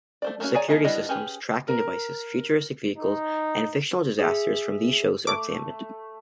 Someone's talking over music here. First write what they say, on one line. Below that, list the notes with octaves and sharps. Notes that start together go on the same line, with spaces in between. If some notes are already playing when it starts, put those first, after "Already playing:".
Security systems, tracking devices, futuristic vehicles and fictional disasters from these shows are examined.
A3 C5 D5
A3 A#3 C4 C#4 F#4
G#4 C#5 D5 G#5 A#5
F3 A#3 D#4 G#4 D#5
G3 B3 D4 E4 D#5
C#4 G4 G#4 B4
A#4
D#4
G#4 E5
A3 D6